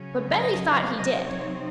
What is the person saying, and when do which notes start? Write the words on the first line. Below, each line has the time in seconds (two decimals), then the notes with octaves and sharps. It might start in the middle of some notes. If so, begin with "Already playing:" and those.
But Benny thought he did.
Already playing: C#3 F#3 C#4
0.39 D#5
0.68 F5
0.97 C3 F#3 C4 D#4 D#5
1.28 C#5